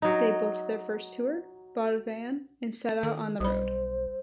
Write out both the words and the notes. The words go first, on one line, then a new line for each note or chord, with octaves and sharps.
They booked their first tour, bought a van, and set out on the road.
F#3 D#4
D#3 A4
B1 G3 C5 B5